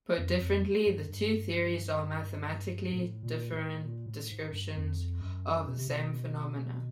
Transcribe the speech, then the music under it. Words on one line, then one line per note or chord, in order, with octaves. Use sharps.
Put differently, the two theories are mathematically different descriptions of the same phenomena.
F2
F2
G2
G2
A2
A#2
A2
A#2
A2
G#2
G2
F2
F#2
B2
C3
B2